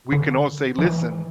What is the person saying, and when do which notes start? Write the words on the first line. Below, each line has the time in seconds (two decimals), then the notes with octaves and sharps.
we can all say, listen,
0.12 D3
0.21 D#3
0.29 D3
0.79 F3
0.84 E3